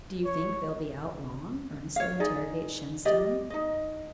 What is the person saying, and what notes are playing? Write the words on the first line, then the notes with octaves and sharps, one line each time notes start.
"Do you think they'll be out long?" earnestly interrogates Shenstone.
C#5
C#5 F5
D#4 G#4 D5
G4 D5 D#5
D#4 D#5